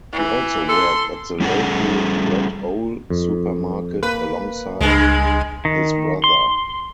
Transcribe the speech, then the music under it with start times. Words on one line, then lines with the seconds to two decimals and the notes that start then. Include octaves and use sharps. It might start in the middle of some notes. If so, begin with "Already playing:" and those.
He also worked at the local Red Owl supermarket alongside his brother.
0.12 E3
0.69 A4 C6
1.40 G3 C#4 G#4 A4 F#5
3.10 F2
4.03 A#3 B4
4.81 C#2 G2 G#3
5.65 D#3
6.24 C6